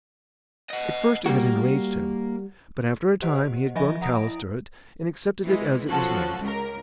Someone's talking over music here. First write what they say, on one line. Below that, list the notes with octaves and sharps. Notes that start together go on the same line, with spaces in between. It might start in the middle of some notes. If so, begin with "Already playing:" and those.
At first it had enraged him, but after a time he had grown callous to it, and accepted it as it was meant.
D#5 F#5
G3 A#3 F#4
G4 C5 D#5 F#5
F3 D#5 E5 G#5 B5 A#6
F#5 A#5 D#6 A#6 D7
E4
E3 G#3
F3 C#4 F#4 A4 F#6
C#2 A#4